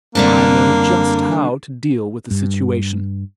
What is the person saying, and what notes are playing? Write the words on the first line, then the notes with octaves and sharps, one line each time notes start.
I know just how to deal with the situation.
F#2 D3 G3 A#3 C4 D4 D5
G2